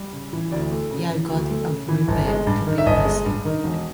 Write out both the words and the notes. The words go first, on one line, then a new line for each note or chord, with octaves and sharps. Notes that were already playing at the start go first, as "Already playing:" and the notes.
Yeah, I got it of Revell, to build myself.
Already playing: G3
C#3
E3
D2 D5
A3
C#3
E3
D2
A3
C#3
E3
G1
G#3
G2
D#3
E5
G1 D#5
G#3
G2
D#3
E1